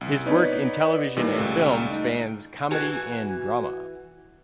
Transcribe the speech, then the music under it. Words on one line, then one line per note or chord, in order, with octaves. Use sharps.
His work in television and film spans comedy and drama.
C2
B3 D#4 B4 C#5 D5
A#2 D#3 E3 G3
C#2 G3 A3
D#4
E3 F#4 G#5